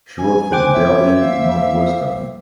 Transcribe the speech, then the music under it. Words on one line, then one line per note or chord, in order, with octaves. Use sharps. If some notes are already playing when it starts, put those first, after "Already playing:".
She wrote for the "Daily Northwestern".
G#5
C5 G5 D6 F#6
C#5 E5
F5